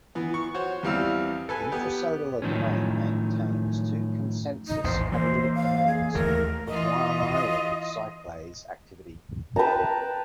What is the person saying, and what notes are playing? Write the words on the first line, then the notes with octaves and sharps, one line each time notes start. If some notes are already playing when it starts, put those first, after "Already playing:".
The intracellular domain maintains two consensus catalytic domains for guanylyl cyclase activity.
E3 B3
C#6
F#4 C5 C#5
E2 E3 G3 C4 F5 E6
A4 B4 G#5
B3 G4
F#2 A2 C3 D#3 F3 C#4
D#4
A#1 E2 A2 C5
E3 A#3 C5
F5
G#4
D#2 E3 A3 A#4
E3 F4 D#5
B4 G5 A5 A#5